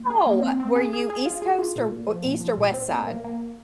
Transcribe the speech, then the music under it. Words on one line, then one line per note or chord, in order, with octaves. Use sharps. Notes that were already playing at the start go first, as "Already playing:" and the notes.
Oh, uh, were you East Coast or East or West Side?
Already playing: A#2
G#4
A#3
C4
C4
G#4
G#4
G#4
F4
G#4
F4
A#2
A#2
F3
A#2
F3
A#2
C4
A#2
A#3
A#3